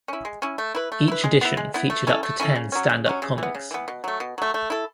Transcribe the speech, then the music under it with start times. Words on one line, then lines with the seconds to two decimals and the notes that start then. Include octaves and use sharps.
Each edition featured up to ten stand-up comics.
0.08 C#4 E4
0.25 G#3
0.42 C#4 E4
0.58 A3
0.75 E4 B4
0.92 A3
1.08 E4 B4
1.24 G#3
1.41 B3 E4
1.57 G#3
1.74 B3 E4
1.90 A3
2.07 C#4 E4 A4
2.23 A3
2.40 C#4 E4 A4
2.56 C#3
2.72 F#3 C#4
2.89 C#3
3.06 F#3 C#4
3.22 C#3
3.38 E3 B3
3.55 C#3
3.71 E3 B3
3.88 B2
4.04 F#3 A3
4.20 B2
4.38 F#3 A3
4.54 A3
4.70 E4 A4